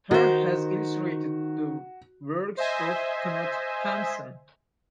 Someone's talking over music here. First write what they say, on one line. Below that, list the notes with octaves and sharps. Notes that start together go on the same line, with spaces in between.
Harr has illustrated the works of Knut Hamsun.
D#3 F#4 C5
C5 D#5 E5 G#5